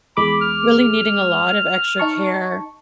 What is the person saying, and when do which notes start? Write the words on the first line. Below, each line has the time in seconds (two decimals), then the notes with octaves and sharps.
really needing a lot of extra care,
0.17 E2 G#3 B5 D6
0.42 F6
1.99 D#4 A5 C#6